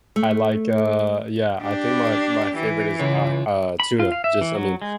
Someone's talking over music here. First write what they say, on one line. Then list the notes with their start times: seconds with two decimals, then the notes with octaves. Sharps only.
I like, uh yeah, I think my my favorite is, uh uh, tuna, just I mean,
0.16 A3
1.62 D4 G4
2.56 E3
3.00 C#2
3.80 B5
4.00 F4
4.12 F5
4.24 E5
4.41 E3
4.56 F#3
4.82 G#3